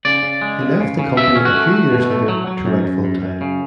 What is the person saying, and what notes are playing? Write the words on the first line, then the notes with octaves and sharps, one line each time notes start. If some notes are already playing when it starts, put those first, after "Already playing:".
He left the company a few years later to write full-time.
C#3 D5
C#3
G#3
C#3
C#3
C#3
B2 E5
C#4
F#4
A3
A3
B2
A3
F#3
F#3
F#2
F#2
F#2
F#2
C#3